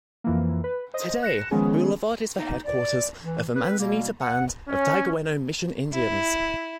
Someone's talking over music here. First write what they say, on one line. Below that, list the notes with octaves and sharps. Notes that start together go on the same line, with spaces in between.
Today Boulevard is the headquarters of the Manzanita Band of Diegueno Mission Indians.
F2 E3 A#3
B4
C5 D#5
F#6 A#6 C#7 E7
D#3 F3 G#3 B3 C#4 G#4
A#3 B3 D#4
D5
E3
C4 B4
B2 G3 A#3
F#5
C#4
E4